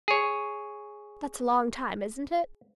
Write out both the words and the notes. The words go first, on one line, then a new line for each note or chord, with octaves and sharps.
That's a long time, isn't it?
G#4 C#5